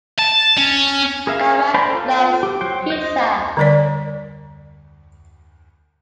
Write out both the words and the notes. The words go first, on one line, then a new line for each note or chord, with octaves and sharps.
Carmack loves pizza.
A5
C#4
G#4 A#4 E5 F5
C5 D5 G5 A#5 B5
F4 A4
G4
F#3 C5 G5
C5 D#5
D3 G3 A#4 C#5 D5